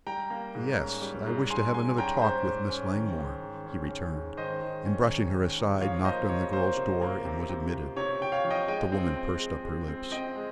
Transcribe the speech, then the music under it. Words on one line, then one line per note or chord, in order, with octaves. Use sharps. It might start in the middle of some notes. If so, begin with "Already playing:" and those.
"Yes; I wish to have another talk with Miss Langmore," he returned, and, brushing her aside, knocked on the girl's door, and was admitted. The woman pursed up her lips.
G3 G5 A#5
A#3
G#2
C#4
G3
G#2
G#2 G#5 C6
G#2 G#5 C6
C#4 G5 A#5
G#2 C5
G#2
C#4
D#3
G#2
D#3
C#4
C#4
G#2
D#3 C5 D#5
G#2
C#4
D#3
C#4
G#2
F3 C#5 F5
A#3 C5 D#5
C3 C#5
A#3 C5
C3
A#3
C3
C3
C3
C3 C#5
C3 G5
C#5 F5
F3
D#5 G5
G#3 D#5 G5
C4
C4
G#3
G#3
C4
C4 D#5 G5
G#3